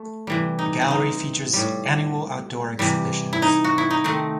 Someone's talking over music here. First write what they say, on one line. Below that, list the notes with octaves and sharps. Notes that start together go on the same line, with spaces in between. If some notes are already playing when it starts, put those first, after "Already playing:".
The gallery features annual outdoor exhibitions.
Already playing: A3
C3 E3 G3
D#4
C4
D#4
A2 G3
C3 E3 G3
E4
D#4
F#4
E4
D#4
D#3 A3 C4